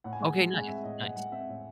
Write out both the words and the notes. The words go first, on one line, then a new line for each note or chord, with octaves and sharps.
Okay, nice, nice.
A2 F#5
G#5
G#3 F#5
G#3
G#3 G#5
F#5
C4 E5
A2 D#5
A2 F#5
G#3 F#5
C4 E5
A2